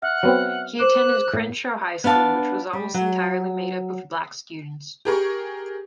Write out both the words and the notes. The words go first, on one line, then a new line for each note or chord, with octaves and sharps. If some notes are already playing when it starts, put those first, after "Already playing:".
He attended Crenshaw High School, which was almost entirely made up of black students.
E5 F#5 F6
F#3 B3 C4
C5 D6 F#6 E7
A2
B3 D4 F5 A5
G3
F#3
G4 G#4 A#4 C#6